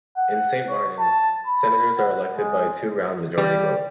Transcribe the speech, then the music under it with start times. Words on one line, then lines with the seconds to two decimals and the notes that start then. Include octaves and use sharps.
In Saint-Martin, senators are elected by a two round majority vote.
0.17 F#5
0.69 C#5
1.00 A5
1.47 B5
1.98 F#5
2.36 G#3
3.38 G3